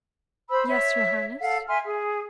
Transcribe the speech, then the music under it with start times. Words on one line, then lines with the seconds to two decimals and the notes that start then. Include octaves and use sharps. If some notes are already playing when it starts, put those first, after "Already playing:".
"Yes, your highness?"
0.49 C5 B5 E6
0.68 C#5 E5
1.40 A4 F5 F#5
1.68 E5 G#5 C6 F6
1.84 G#4